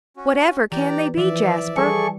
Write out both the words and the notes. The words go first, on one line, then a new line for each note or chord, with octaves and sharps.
"Whatever can they be, Jasper?"
C#4 F#4
E3 G4 D5 A#5
E3 F3 D5 E5
G3 G#4 A4 C#6